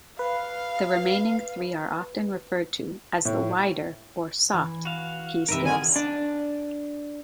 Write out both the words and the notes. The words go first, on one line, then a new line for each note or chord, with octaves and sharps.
The remaining three are often referred to as the 'wider' or 'soft' Key Skills.
B4 F5
A2
E3
F#4 F5
C3 E3 D#4 A#4 B4 E5
D3 D#3 G#4 G#5
D4